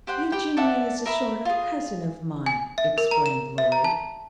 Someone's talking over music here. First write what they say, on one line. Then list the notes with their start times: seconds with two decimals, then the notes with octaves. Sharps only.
"Eugenia is a sort of cousin of mine," explained Lloyd.
0.07 G4 C5 F#5 G5
0.32 G4 G5 B5
0.57 A4 D5 E5 F#5
1.06 A#4 E5 B5
1.45 F4 G#4
2.46 G#5
2.78 E5
2.98 A#4
3.11 A#5
3.26 E7
3.58 E5
3.72 A#5
3.84 A5